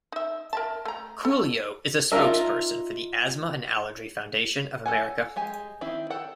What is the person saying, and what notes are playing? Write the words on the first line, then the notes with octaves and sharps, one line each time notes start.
Coolio is a spokesperson for the Asthma and Allergy Foundation of America.
D#4 E5
A#4 E5 A5
A3 A#5
A4
D#4 F4 F#4 A#4 E5
A4 F#5 G#5
G#3 G4 G#5
D#3 C4 E4
A4 F#5 G5